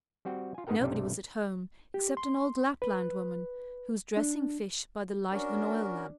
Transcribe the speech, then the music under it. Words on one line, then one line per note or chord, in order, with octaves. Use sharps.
Nobody was at home except an old Lapland woman, who was dressing fish by the light of an oil lamp.
G3 C4 F#4 G5
F4 G#5
G#2 B3 D#4 G#4 A#4 G5
B1 G2 C3 G3 A3
G4
C6
B4
D4
C#4 D4 F#4 A#4